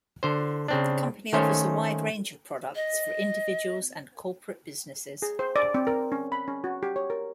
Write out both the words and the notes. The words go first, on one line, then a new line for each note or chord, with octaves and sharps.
The company offers a wide range of products for individuals and corporate businesses.
D3 C5
C#3 C4 D4
D#3 A3 C#4 C5 C#5
D#5
G#4
C5
D5
C4
A#4
C#4
B5
C#4
F#4
G4
C#5
A#4